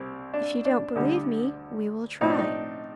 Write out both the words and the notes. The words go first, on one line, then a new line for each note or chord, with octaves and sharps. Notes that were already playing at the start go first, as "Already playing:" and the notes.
If you don't believe me, we will try.
Already playing: C2 G3 C4
D4
D4
D2 D3 G3
A2 F3 C4 D#4
D4
D#4